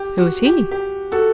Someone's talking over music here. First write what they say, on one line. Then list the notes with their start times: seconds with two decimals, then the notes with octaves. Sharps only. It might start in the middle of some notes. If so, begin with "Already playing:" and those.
"Who is he?"
Already playing: G4
0.18 F#4
0.45 G4
0.71 G4
1.12 F#4 A4